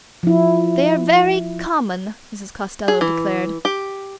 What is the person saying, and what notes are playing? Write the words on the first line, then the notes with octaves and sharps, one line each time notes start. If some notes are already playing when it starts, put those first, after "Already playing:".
"They are very common," Mrs. Costello declared.
F3 E4
G#4
E3
G4